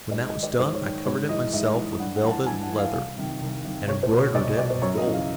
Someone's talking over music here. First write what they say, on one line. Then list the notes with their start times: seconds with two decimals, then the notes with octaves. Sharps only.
When that was done, I covered it myself with velvet and leather, and embroidered it with gold.
0.11 G#2 D5
0.27 D#5
0.35 D#3
0.43 D5
0.59 G#2 C5
0.74 C#5
0.82 D#3
1.05 G#2 C#5
1.29 E3 D#5
1.53 G#2 E5
1.76 E3
1.99 G2 F#5
2.16 F#5
2.23 E3
2.31 A5
2.46 G2 G#5
2.63 F#5
2.70 E3
2.78 F5
2.93 C2 F5
3.17 C3 D#3
3.41 C2
3.64 C3 D#3
3.87 C2 C#5
4.03 C5
4.11 B2
4.18 C#5
4.35 C2 D5
4.47 D#5
4.58 B2 D5
4.70 C5
4.82 F#2 C#5
4.98 D#5
5.05 C#3 E3
5.13 F5